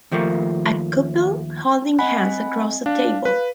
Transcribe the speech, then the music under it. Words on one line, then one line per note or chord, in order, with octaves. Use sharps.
A couple holding hands across a table.
D#2 F3 A3 A#3
C4 D#5 F#5 G#5 B5
D4 F5
B4